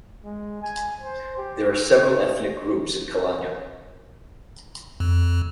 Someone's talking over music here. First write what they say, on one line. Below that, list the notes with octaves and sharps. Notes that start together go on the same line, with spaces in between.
There are several ethnic groups in Kalyana.
G#3
G#5
C5
G4
F2